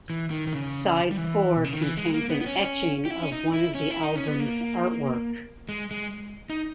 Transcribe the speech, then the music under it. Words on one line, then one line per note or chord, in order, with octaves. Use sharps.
Side four contains an etching of one of the album's artwork.
E3
D#3
D#3
C#3
G3
E3
B2
C#3
D#3
E3
G#3
A#3
B3
B3
C#4
G4
E4
C#4
D#4
E4
C#4
E4
D#4
C#4
B3
A#3
G#3
G#3
D#4